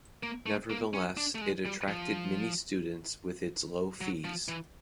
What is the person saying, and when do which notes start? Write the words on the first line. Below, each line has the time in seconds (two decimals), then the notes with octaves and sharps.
Nevertheless, it attracted many students with its low fees.
0.23 A#3
0.46 A3
0.70 A#3
0.94 C#4
1.17 D4
1.35 A3
1.41 G#3
1.65 G3
1.88 F3
4.01 F#3
4.25 F3
4.48 E3